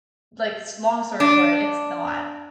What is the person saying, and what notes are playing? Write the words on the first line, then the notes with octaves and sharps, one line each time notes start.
like s long story short, it's not
D4